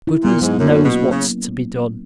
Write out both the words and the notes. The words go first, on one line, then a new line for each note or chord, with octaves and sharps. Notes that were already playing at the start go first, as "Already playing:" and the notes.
Goodness knows what's to be done.
E4
A#2 B3
G#2 F#3
F#2 A#3
C#4
B2
A#3
C#3 F#3